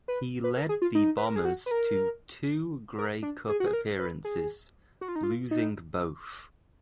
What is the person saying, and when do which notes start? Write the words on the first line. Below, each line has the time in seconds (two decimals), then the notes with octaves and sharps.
He led the Bombers to two Grey Cup appearances, losing both.
0.08 B4
0.44 B4
0.57 A#4
0.69 G#4
0.82 F4
0.95 D#4
1.17 B4
1.26 A#4
1.36 G#4
1.45 F#4
1.66 B4
1.71 A#4
2.98 A#4
3.23 D4
3.49 G#4
3.60 F#4
3.66 G#4
3.73 A#4
3.99 B4
4.25 G#4
5.01 F#4
5.08 F4
5.16 D#4
5.23 F4
5.51 D#4